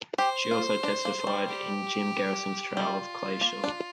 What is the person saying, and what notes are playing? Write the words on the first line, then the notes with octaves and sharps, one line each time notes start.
She also testified in Jim Garrison's trial of Clay Shaw.
G4 C5
F4
D4
A#3
G3
G4
G3 F4
A#3
D4